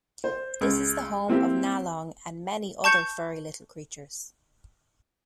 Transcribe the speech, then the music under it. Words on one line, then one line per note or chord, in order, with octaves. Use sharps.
This is the home of Nalong and many other furry little creatures.
C5
C#2
A#3 C4 E4 G4
A5 C#6 G6 C#7